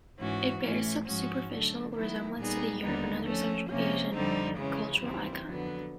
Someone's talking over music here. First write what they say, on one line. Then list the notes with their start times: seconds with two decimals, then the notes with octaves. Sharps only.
It bears some superficial resemblance to the yurt, another Central Asian cultural icon.
0.17 G#2 E3 G#3 C#4 F#4
0.61 A2 E3 A3 C#4
1.05 G#2 F3 G#3 C#4 F#4
1.49 D3 F#3 A3
1.93 D#3 F#3 B3 E4
2.37 A#2 G3 B3 D#4 G#4
2.81 D#2 D3 G3 B3 D#4
3.24 F3 A3 C#4
3.69 C3 F3 A#3 C#4
4.13 F2 D3 G3 C4 D#4
4.56 C#3 E3 G#3 C#4
5.00 D#2 C#3 E3 G3 C4
5.44 F2 D3 F#3 B3